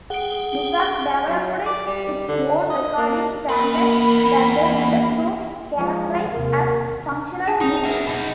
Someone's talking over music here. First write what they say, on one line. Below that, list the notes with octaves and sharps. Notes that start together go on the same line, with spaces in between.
Muzak developed its own recording standards that they began to characterize as "functional music".
G#4 F#5 G5 D7
F#3
D5
G3
D3
D#5
A#3
E2 A#3 A#4 B4 B5
F3 G#3
D#2 C3 A#4
G#4 G#5 A5
D#4
F#4 E5
B2 D#4